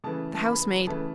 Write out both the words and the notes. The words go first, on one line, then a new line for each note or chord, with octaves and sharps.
The housemaid.
C#3 E3 A3 A5
A5
B5
C#3 E3 A3 A5